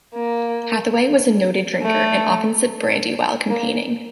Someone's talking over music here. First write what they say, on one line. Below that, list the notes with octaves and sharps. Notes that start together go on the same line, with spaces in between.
Hathaway was a noted drinker, and often sipped brandy while campaigning.
A#3
A3
A#3